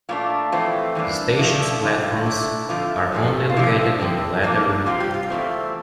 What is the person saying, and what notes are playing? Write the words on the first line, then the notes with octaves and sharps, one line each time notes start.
The station's platforms are only located on the latter route.
A#2 A3 D4 F4
F2 E3 A3 C4 F4
G2 E3 A#3 D4
G2 F3 A3 D4 E4
E2 D3 G3 F4
A#2 A3 D4 E4
D3 F3 A3 C4 F4
C3 F3 A3
F4
G2 D3 F3 C4 E4
D3 F3 C4
A#2 F3 A#3 D4
C3 G3 C4 F4
G4
F4
E2 E3 A3 C4